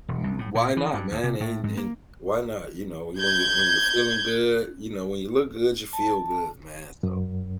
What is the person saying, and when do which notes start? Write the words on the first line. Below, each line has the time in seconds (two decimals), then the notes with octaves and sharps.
Mm. Why not, man? And and why not? You know, when you when you feeling good, you know, when you look good, you feel good, man. So,
0.08 E1
0.24 C2
0.39 A2
0.55 A#2
0.77 E3
0.93 G2
1.11 D2
1.24 C3
1.40 A2
1.64 G#2
1.77 A#3
3.19 G6 G#6
5.93 A5
7.03 F#2